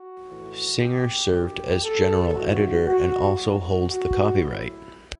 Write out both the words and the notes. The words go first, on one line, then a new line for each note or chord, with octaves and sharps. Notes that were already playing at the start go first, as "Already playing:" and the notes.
Singer served as General Editor and also holds the copyright.
Already playing: F#4
A2 E3
G4
F#2 D3 F#3 G4
A4
G2 E3 F#4
F#4
A2 F#3 F#4
F#4
A2 F#3 E4